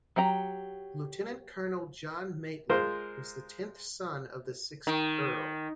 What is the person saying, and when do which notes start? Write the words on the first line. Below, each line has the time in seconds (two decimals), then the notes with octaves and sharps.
Lieutenant-Colonel John Maitland was the tenth son of the sixth Earl.
0.16 F#3 G4 G5 A#5
2.69 G#3 F4 A#4 C5
4.87 D#3